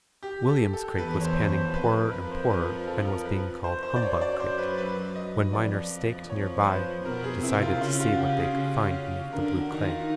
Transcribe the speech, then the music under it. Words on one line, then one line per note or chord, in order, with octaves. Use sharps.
William's Creek was panning poorer and poorer and was being called 'Humbug Creek,' when miners staked near by decided to see what they could find beneath the blue clay.
G4
A4
A4
E2 E3 B4
C#5
C5
C5
F2 F3 B4
A#4
B4
C5
B4
A4
A#4
B4
C5
C5
D5
F#2 F#3 C#5
D5
C5
B4
B4
D#5
F2 F3 D5
F2 F3 C#5
B4
C5
B2 B3 A#4
G#4
C3 C4 E4
F4
C#3 C#4 F4
F4
F#4
C#3 C#4 G4
G#4
C#3 C#4
D3 D4 A#4
F#4
D#3 D#4
F4